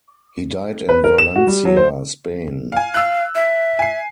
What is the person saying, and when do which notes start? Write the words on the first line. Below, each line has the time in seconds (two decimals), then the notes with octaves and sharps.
He died in Valencia, Spain.
0.89 B4
1.04 A#4
1.18 E7
1.36 F#4
1.47 G3
1.65 F#3
1.77 C5
2.72 F5 G#5
2.94 F5 E6 F#6
3.35 E5
3.79 G#5 C7